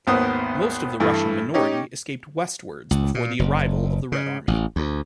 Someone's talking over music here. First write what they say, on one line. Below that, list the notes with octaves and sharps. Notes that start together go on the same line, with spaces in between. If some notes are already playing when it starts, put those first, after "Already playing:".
Most of the Russian minority escaped westwards before the arrival of the Red Army.
G#1 D#2 B3 A#4 C5 D#6
G2 E3 A3
C#4 D#4 G4
C#2
A#2
F#1
C#3
A1
D2